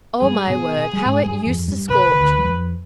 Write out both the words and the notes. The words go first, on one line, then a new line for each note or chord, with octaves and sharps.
Oh, my word, how it used to scorch!
G2 G3 G#4
B2 B3
G3
G#2 G#3
G2 G3
F2 F3
G2 G3
C2 C3 B4
D#3
D2 D3
G3
F2 F3